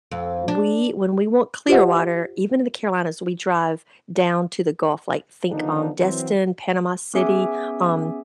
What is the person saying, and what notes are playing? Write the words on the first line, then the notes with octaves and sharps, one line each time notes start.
we when we want clear water, even in the Carolinas, we drive down to the Gulf, like, think, um, Destin, Panama City, um
F2
D4
F4 G4 C5 D#5 F#5
D3 D#3 F3 B3 D4 D#4
E3 F#3 C4
B3 C#4 G#4 E5 G#5 D6